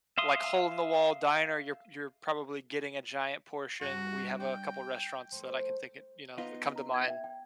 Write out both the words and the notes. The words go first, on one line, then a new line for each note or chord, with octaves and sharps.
like, hole-in-the-wall diner, you're you're probably getting a giant portion. We have a couple restaurants that I can think it you know, that come to mind
E5 F5 C6 D#6
G2 F#4
D5 G5
F3 A3
B3 D#4 F4
A#5
G#6
E5 G5
G5